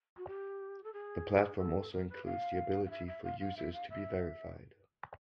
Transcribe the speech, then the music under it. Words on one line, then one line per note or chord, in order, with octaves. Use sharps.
The platform also includes the ability for users to be verified.
F#4
G4
A4
G#4
A4
A#4
B4
F5
F5
E5
E5
F5
F5
E5
F5
E5